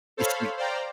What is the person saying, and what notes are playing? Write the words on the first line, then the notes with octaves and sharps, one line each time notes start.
you see
A4 C5 C#5 F5 B5
C5 D5 F5 G5 A#5